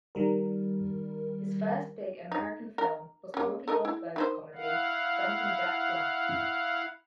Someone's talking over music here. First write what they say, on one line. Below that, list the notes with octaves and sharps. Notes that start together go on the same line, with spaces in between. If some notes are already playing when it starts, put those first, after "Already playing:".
His first big American film was the Whoopi Goldberg comedy "Jumpin' Jack Flash".
D#3 G3 A#4
D#4
A#4
A#3 C#4
A4 A#4 D#5
E4
D#3 E4 C5
E4 F5 F#5